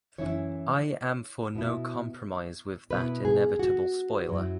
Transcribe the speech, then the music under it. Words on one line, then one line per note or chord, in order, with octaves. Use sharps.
I am for no compromise with that inevitable spoiler.
F#2 E3 C#4 E4 C#5
B2 B3 E4
B2 B3 E4 B4
G#4
F#4
F#2 F#3 E4